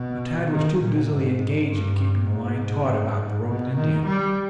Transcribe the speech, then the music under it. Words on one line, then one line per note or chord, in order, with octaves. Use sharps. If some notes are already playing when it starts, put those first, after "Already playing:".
But Tad was too busily engaged in keeping the line taut about the roped Indian.
Already playing: B2
D#3
A#2
G#2
G2
G#2
B2
D#3
G3